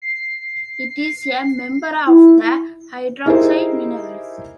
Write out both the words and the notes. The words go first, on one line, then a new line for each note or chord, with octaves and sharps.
It is a member of the hydroxide minerals.
C7
E4
D#4 E4 G4 G#4 A#4 C5